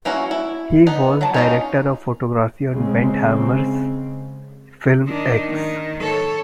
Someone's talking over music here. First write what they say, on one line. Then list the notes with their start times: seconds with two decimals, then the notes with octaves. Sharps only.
He was director of photography on Bent Hamer's film "Eggs".
0.05 A#3 C#4 E4 F#4
0.31 E4
0.87 B3 D#4
1.21 F#3 A5
1.34 C#4 D#4 F4
2.70 C#3 G#3 C4
5.07 D#3 D4
5.49 D#3
6.01 A4 C#5